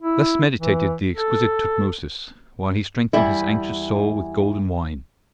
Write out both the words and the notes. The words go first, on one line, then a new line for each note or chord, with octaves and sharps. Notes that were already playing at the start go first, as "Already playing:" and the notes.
Thus meditated the exquisite Tutmosis, while he strengthened his anxious soul with golden wine.
E4
E3
A4
E2 G3 E4